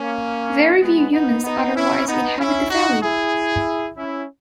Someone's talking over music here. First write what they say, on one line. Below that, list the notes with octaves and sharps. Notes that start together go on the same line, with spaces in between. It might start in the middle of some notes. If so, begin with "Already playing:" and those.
Very few humans otherwise inhabit the valley.
Already playing: A#3 C#4
G#3 B3
B3 D#4
B3 D#4
C#4 E4
B3 D#4
C#4 E4
D#4 F#4
E4 G#4
C#4 E4